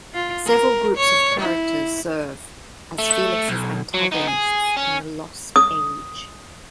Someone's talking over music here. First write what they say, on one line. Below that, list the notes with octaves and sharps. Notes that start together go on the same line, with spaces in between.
Several groups of characters serve as Felix's antagonists in "The Lost Age".
F4
A#4
C#5
E4
A3
B1
F#3
B3 D#4
G#4
C#4
D#6